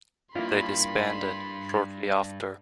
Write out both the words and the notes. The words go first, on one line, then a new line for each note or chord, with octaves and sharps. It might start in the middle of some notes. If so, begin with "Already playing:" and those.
They disbanded shortly after.
G2 A#3 E4 F4 B5 C6